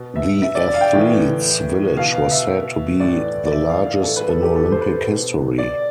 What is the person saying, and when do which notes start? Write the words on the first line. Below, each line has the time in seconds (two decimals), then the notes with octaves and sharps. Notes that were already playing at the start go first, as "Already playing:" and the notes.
The athletes' village was said to be the largest in Olympic history.
Already playing: B2
0.16 E5
0.42 E5
0.55 D5
0.68 D5
0.74 F5
0.81 G5
0.94 A2 E3
1.97 B2 F5
2.15 F5
2.31 E5
3.00 A2 E3 D5
3.46 D5
3.52 E5
3.69 F5
3.86 F5
4.03 A2 A4
4.08 E3
4.16 B4
4.29 A4
4.42 G4
4.56 A4
4.72 C5
4.81 B4
5.07 B2
5.58 D5